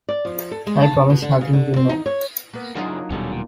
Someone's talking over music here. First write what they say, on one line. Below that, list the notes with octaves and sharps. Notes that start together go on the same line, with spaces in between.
I promise nothing, you know.
D5
F3
A4
G#3
A5
B2
D3
C#3
D3
C4
D#4
C#5
A#3 B3
F#2 C#3 F#3 A#3 D4 D#4 F4 F#4
D#1 B2 D3 G3 C#4
A#2